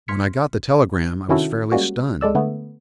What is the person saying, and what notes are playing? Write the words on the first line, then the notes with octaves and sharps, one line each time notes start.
When I got the telegram I was fairly stunned.
C6 F6 G#6 B6 C#7
C3 D#3 C#4 E4 F#4 A4
G3 G#3 A#3 C#4 F#4
G#3 A4 D5 E6
D3 A3 B3